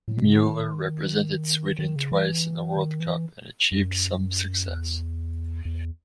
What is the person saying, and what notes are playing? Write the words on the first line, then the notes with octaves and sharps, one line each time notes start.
Mueller represented Sweden twice in the World Cup and achieved some success.
A2
B2
C#3
D#3
D#3
C#3
E3
D#3
E3
F#2
E2
E2